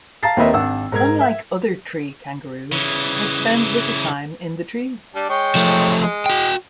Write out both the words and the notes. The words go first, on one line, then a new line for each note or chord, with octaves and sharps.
Unlike other tree kangaroos, it spends little time in the trees.
F5 A5 A#5 A6 C7
D#2 C4 A#4 B4 D#5 E5
G#1 D4 F#5 E6
G#2 A#4 G#6
E5
C#3 E3
G3 D4
G#3 C#5 G5
F3 A3
G#3
F#4 G5